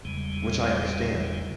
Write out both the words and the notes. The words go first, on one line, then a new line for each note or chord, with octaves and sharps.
which I understand.
E2 C#3 G3 G#3